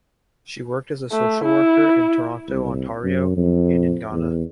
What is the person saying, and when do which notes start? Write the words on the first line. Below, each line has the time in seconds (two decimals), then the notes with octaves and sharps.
She worked as a social worker in Toronto, Ontario and in Ghana.
1.11 A3
1.44 E4
2.48 C2
3.04 F#2
3.37 F2
4.11 E2